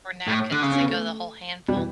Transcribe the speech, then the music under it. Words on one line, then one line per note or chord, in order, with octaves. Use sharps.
Or napkins, they go the whole handful.
A2
D3
C#3
C#4
B3
A3
G3
E3